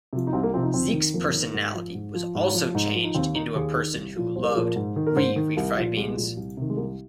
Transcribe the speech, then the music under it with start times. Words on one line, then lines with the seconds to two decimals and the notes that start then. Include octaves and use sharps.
Zeke's personality was also changed into a person who loved 're-refried beans'.
0.13 C3 F3
0.27 D#4
0.33 C2 C4
0.43 A#3
0.53 F3 C4
0.57 C3
0.63 D#4
0.74 F2 C4
0.94 D#3
1.14 F2 A#3
1.33 D#3
1.54 G#2
1.74 F3
1.95 G#2
2.14 F3
2.35 G#2
2.54 F3
2.75 G#2 D#4
2.95 F3
3.04 D#4
3.15 D#2 C4
3.35 D#3 D#4
3.55 D#2 G#4
3.75 D#3
3.95 C2
4.16 A#2 F3
4.36 C2 C5
4.43 A#4
4.51 G#4
4.55 A#2 F3 A#4
4.76 G#2
4.96 D#3
5.07 A#4
5.16 G#2 C5
5.36 D#3
5.56 C2 A#4
5.77 A#2 F3
5.97 C2 G#3
6.17 A#2 F3
6.37 C2
6.57 C3 D#3
6.70 G#3
6.77 C2 A#3